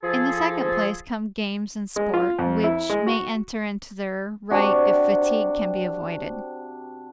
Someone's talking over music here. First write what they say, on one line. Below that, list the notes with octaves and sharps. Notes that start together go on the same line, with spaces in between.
In the second place come games and sport, which may enter into their right if fatigue can be avoided.
F3 G#4 A4
G#3
F4
F2
E4
G#3
F#4
C3 D4 F#4